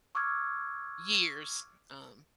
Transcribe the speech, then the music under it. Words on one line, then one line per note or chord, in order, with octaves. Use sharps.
years, um.
C#6 D6 E6 F6 G#6